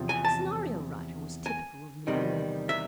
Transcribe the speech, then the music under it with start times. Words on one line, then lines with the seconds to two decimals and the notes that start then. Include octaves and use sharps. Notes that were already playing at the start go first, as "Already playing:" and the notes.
The scenario writer was typical of them all.
Already playing: E2 C3 F3
0.09 G#5
0.25 A5
1.46 G#5
2.07 E2 C3 D#3 G3
2.69 E5